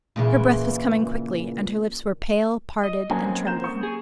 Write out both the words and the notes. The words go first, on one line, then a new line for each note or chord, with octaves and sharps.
Her breath was coming quickly, and her lips were pale, parted, and trembling.
A#2 C#3 E3
D#5
F#3 A#3 C4 C#4 G#5
A#5 G6 E7
C#6 D#6
G#4